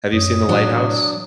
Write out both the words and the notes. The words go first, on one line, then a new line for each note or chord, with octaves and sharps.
Have you seen The Lighthouse?
F#2 C#5 D#6
A2 F#3 D4